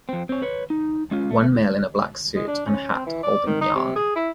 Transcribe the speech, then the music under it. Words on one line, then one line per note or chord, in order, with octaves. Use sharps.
One male in a black suit and hat holding yarn.
F2 C4
C4 C#5
B4 C#5
D#4
G#3 C#4 F4
A3
G#3
D4
C#4
C4
E3
D5
D#3
D#4
C3
G#4
E4